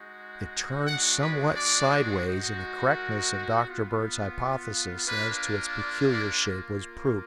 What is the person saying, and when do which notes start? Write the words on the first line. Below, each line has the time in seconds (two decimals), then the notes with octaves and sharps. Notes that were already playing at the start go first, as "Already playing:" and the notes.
It turned somewhat sideways and the correctness of Dr. Bird's hypothesis as to its peculiar shape was proved.
Already playing: G#3 D#4 F#4
0.86 G#3 D4 F#4 F#5
1.21 B4
1.56 D5
2.26 G#3 D#4 F#4
2.96 A#4
3.66 B3 F4
5.06 A#3 D4 F4 B4
5.77 D5
6.13 D5
6.47 A#3 F4